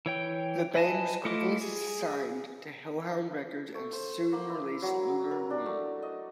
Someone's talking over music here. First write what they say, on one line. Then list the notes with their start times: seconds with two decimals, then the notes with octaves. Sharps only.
The band was quickly signed to Hellhound Records and soon released Lunar Womb.
0.06 E3 C#5 G5
0.75 B4 D#5 G#5 A5
1.25 A3 E4 F4 D#5 D6
1.61 G#4
3.75 A3
3.93 C5
4.33 A#3
4.50 E4
4.82 F#3
5.31 A#4
5.50 D4
5.66 A3
6.02 D#5